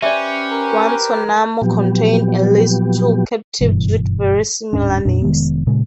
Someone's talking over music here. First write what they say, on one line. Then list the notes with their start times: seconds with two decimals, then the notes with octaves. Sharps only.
Guantanamo contained at least two captives with very similar names.
0.02 C#4 G4 B4 C5 D5 E5
0.51 A#4
1.62 A#2 F3 F#3 B3 G4
3.61 F#1 G2 B2 E3
4.73 D1 G#2 C#4 D4
5.05 F2 A#2 D4
5.22 F1 D#3 G#3 B3
5.67 A#2 C#3 G#3